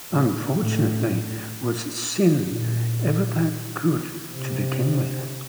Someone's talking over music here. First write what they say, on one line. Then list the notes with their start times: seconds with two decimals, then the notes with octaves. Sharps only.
Unfortunately, was "Sin" ever that good to begin with?
0.11 A2
0.58 A2
2.46 A#2
4.35 C3